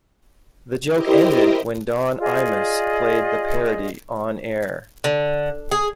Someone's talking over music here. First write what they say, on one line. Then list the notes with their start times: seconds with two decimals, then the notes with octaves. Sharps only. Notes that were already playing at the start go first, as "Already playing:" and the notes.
The joke ended when Don Imus played the parody on-air.
0.94 E4 G4 A#4 C5 D#5
2.19 F4 G#4 D5 D#5
5.04 D3
5.71 G#4